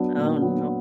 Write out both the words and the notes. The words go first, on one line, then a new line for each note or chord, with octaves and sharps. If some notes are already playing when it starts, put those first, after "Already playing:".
Oh, no.
Already playing: F#3 B3 D4
A#2
F#3 B3 D4